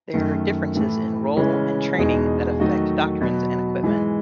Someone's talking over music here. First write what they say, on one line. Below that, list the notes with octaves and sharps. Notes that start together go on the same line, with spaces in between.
There are differences in role and training that affect doctrines and equipment.
F#2 D#3 A3
A2 E3 A3
C#3 E3 G#3 C#4
E2 B2 G#3 D#4 G#4
D#3 F#3 A3 D#4 F#4
B2 F#3 B3
G#2 E3 G#3